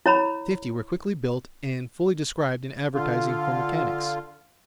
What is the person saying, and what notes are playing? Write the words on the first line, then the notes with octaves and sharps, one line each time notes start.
Fifty were quickly built and fully described in advertising for mechanics.
E4 C#5 A#5 B5
D3 F4